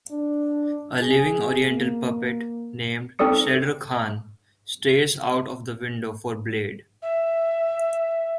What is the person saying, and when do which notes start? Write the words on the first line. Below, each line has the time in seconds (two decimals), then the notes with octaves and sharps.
A living oriental puppet, named Shredder Khan, stares out of the window for Blade.
0.11 D4
1.01 G#4
1.68 A#3
3.19 C4 D#4 A4 D5 D#6 C#7
7.02 E5